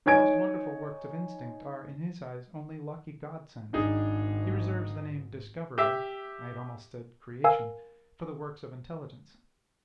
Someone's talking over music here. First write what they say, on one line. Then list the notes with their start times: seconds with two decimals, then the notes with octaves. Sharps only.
The most wonderful works of instinct are, in his eyes, only lucky GOD-SENDS; he reserves the name DISCOVERY--I had almost said creation--for the works of intelligence.
0.06 D#4 C#5 G#5 G#6 D7
3.73 G#1 D4 D#4 G#4
5.78 G4 E5
7.44 A#4 F5 G#5 E6